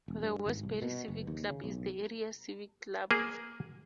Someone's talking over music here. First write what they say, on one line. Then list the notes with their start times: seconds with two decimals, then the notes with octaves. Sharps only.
The Westbury Civic Club is the area civic club.
0.08 E1
0.22 G2
0.46 G#1
0.63 C2
0.82 B2
1.08 F#1
1.27 D#2
1.50 C#3
1.64 B1
3.11 A#3 G#4